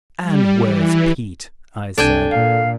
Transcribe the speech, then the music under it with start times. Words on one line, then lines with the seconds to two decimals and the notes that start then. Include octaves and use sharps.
"And where's Pete?" I said.
0.22 G3
0.56 E3
1.98 C2 D4 A4 G5 G#5
2.31 A#2 F5